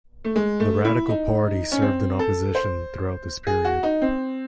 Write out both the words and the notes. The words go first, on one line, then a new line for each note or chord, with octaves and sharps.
The Radical Party served in opposition throughout this period.
A3
G#3
A3
E4
D#4
C#4
C4
A4
C5
G#4
F#4
D#4
C4